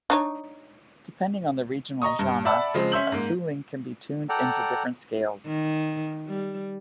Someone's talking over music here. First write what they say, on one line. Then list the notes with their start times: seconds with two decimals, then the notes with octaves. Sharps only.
Depending on the regional genre, a suling can be tuned into different scales.
0.10 D4 D#4 C#5
2.02 D#5 A#5 C#6 D#6
2.19 G2
2.45 D5 E5 F#5 A5 B5 E6
2.74 C#3 F3 G#3 C4
2.92 C#4 E5 C6 E6 G6 F#7
3.12 G#2 A#3
4.29 A4 D5 F#5 G5 A#5
5.46 D#3
6.27 G3